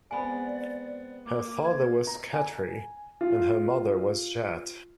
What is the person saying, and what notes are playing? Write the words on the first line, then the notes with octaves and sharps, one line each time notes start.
Her father was Khatri, and her mother was Jatt.
G#3 B3 C4 D5 G#5 B5
A#3 D6
G#6
A#5
G#5
F4